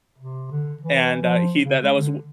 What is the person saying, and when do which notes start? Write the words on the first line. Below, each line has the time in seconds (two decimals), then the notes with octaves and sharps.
and, uh, he that that was wo
0.18 C3
0.51 D3
0.82 E3
1.22 F3
1.64 C#3
1.82 G#3
1.97 D3